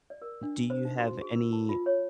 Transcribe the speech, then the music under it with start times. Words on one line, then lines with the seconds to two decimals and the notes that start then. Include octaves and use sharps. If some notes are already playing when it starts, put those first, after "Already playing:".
Do you have any
0.10 D5
0.22 A#4
0.43 D4
0.70 C5
0.85 D#4
1.00 F#4
1.21 G#4
1.36 A#4
1.53 A5
1.69 F4
1.86 C#5